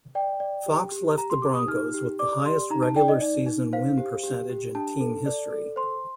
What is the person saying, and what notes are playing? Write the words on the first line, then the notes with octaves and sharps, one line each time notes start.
Fox left the Broncos with the highest regular season win percentage in team history.
D5 G5
D5
G4
G4
G4 A#5
C6
G4 D6
D#6
D#4 F6
G4
D5 D6
G4 C6
D#4 A#5
A5
D5 G5
D#5
D#4 D5
D#4
C5 F5
G4
G4
G4
D4 A5
A4
D5
A4
C5 C6